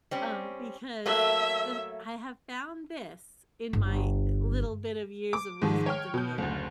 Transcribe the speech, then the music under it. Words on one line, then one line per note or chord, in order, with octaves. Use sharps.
um, because with I have found this in my, eh, little bit of years of wisdom here.
G3 C4 C#4
F#3 A3 A#3 E5
G1
D6
G#2 D#3 F3
C#5 G5 F6
B2 G6
F#1 D2